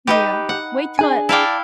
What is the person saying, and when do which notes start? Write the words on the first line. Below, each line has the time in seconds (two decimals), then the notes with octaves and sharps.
Yeah, wait till it
0.07 D#4 F#4 G4 B4
0.49 F#5
0.99 D4 G#4 G#5
1.29 E4 D5 F5 G5 A5